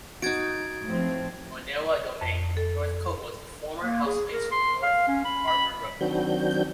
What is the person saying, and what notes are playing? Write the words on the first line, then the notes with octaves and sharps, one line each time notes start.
Onewa Domain, Northcote was the former home base for North Harbour rugby.
D#4 F#4 G#6 A6 D7
A2 F3 C4
F2
A4
A#3
G#4
A#4
C6
F5
C#4
B5
B5
D#3 F#3 C4 D4 F#4 G6